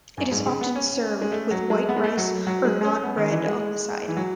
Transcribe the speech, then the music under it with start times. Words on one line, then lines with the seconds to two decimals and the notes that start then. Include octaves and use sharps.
It is often served with white rice or naan bread on the side.
0.18 F#2
0.32 G#2
0.46 C#3
0.61 B3
0.76 C#4
1.22 G#3
1.32 A3
1.51 F#3
1.70 G#3
1.89 B3
1.96 G#3
2.04 A3
2.17 F#3
2.47 F#3
2.65 G#3
2.85 C#4
3.04 B3
3.17 D#3
3.31 E3
3.47 G#3
4.08 E3
4.17 F#3